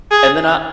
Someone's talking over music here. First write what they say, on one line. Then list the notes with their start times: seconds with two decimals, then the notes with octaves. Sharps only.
and then, uh
0.11 G#4